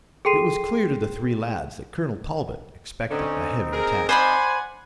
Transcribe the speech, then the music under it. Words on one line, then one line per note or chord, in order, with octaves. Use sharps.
It was clear to the three lads that Colonel Talbot expected a heavy attack.
G#4 A4 G5 C6 C7 D#7
D3 C4 C#4 D#4
G#4 A#4
C5 D5 F#5 G#5 B5 C6